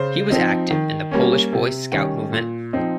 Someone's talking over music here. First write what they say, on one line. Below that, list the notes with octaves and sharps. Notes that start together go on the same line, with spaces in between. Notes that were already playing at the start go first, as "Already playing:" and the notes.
He was active in the Polish Boy Scout movement.
Already playing: C#3 C5
F3 C4 D#4
D#3
G3 A#3 C#4
C3
D#3 G3 C#4
A#2
F3 C4 D#4